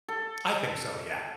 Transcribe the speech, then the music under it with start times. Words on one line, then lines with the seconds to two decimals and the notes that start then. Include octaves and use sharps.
I think so, yeah.
0.08 A4